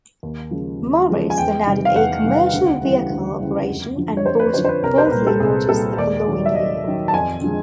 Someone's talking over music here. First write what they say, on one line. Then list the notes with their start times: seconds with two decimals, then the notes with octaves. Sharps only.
Morris then added a commercial vehicle operation and bought Wolseley Motors the following year.
0.23 D#2
0.51 C#3 F3 G#3
0.80 D#2
1.09 C#3 F3 G#3
1.30 G#5
1.38 E2 G5
1.66 C3 D#3 G3
1.85 F5
1.95 E2 F#5
2.24 C3 D#3 G3
2.53 D2
2.82 C#3 E3 G3
3.10 D2
3.39 C#3 E3 G3
3.68 F2
3.97 D3 F3
4.17 C#5
4.25 F2 C5
4.40 B4
4.54 D3 F3 C5
4.65 C5
4.69 B4
4.83 C2 A#4
4.98 C5
5.06 B4
5.11 A#2 G3 A#4
5.27 A4
5.40 C2 G#4
5.69 A#2 G3 A4
5.98 D#2 D5
6.27 D#3 F#3
6.46 E5
6.55 D#2 D#5
6.84 D#3 F#3
7.08 A5
7.13 F2 G#5
7.41 D3 F3 G#3